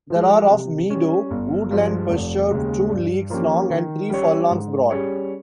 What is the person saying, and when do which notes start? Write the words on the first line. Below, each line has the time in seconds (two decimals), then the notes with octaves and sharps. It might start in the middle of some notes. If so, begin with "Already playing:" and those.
There are of meadow, woodland pasture two leagues long and three furlongs broad.
0.10 F3
0.15 G#3
0.51 C3
0.90 G3 C#4
1.31 G1
1.71 G2 F3 G#3
2.10 F1
2.50 D#2 C#3 G#3
2.90 G2
3.30 F3 A#3 C#4 G4
3.70 D#3
4.10 G3 C#4 G4 C#5
4.50 G#2
4.90 G3 C#4 G#4 C#5